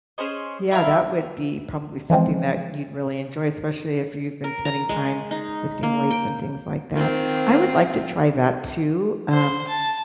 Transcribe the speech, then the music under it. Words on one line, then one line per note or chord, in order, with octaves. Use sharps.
Yeah, that would be probably something that you'd really enjoy, especially if you've been spending time lifting weights and things like that. I would like to try that too, um,
C#4 G#4 C5 D#5
E4 A#4 E5 F5
E3 F3 G#3 C4
A#4
A#5
G#3
D#4
A#3
G5
D#3 C4 F4
C5
A5